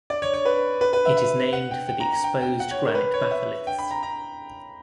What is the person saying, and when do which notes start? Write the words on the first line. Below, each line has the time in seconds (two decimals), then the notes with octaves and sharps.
It is named for the exposed granite batholiths.
0.10 D5
0.22 C#5
0.34 C#5
0.45 B4
0.81 B4
0.93 B4
1.05 E5
1.17 E5
1.53 F#5
1.71 G5
1.88 G5
2.00 A#5
2.12 A#5
2.24 G5
2.41 G5
2.60 F#5
2.71 C#5
2.87 A#4
2.95 B4
3.14 C#5
3.31 E5
3.67 G5
3.79 B5
3.91 A#5
4.03 A#5